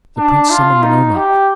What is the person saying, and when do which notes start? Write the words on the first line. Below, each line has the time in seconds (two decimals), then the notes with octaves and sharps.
The prince summoned the nomarch.
0.18 D4
0.51 F4
0.83 D#4
1.15 G4